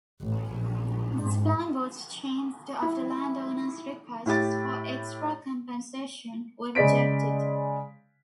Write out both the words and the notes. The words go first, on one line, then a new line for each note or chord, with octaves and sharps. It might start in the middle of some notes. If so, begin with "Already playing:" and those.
This plan was changed after landowners' requests for extra compensation were rejected.
A1
A#1
G#2
E4
A2 E4 G4 A6
C#3 G#3 D5 B6 D7